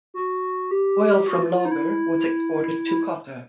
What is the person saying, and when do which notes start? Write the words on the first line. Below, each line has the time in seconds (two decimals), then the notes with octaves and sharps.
Oil from Logger was exported to Kotter.
0.14 F#4
0.71 G4
1.28 F#4
1.42 F4
1.57 F4
1.65 D#4
1.71 E4